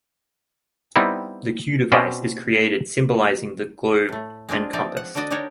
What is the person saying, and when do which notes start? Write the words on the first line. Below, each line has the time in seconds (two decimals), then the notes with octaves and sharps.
The Q device is created, symbolising the globe and compass.
0.96 G3 B3 C4 D#4 E4
1.92 B2 C4 C#4 C5 D5 D#5
4.09 A2 A3
4.49 G#3 C4 D4 F4
4.73 F3 C4 D#4 D5 E5
4.97 F#5
5.15 D3 D4 F#4 D5 D#5
5.30 D4 D#4 F#4 G4 A#4 C#5